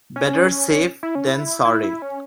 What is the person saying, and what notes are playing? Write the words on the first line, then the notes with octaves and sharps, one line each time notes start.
Better safe than sorry.
C#4
E4
C#4
E4
E4
E4
C#4